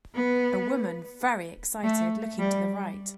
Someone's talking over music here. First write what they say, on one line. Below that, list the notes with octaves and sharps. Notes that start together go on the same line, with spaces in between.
A woman very excited looking to the right.
B3
A3
G3